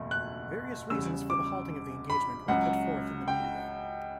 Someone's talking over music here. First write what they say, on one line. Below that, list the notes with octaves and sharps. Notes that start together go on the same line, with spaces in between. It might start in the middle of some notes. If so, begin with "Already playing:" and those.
Various reasons for the halting of the engagement were put forth in the media.
Already playing: F#1 E2 B2 A3
F#6
E2 C#3 G3 E6
D6
B5
C#2 C#3 F#3 F#5
G5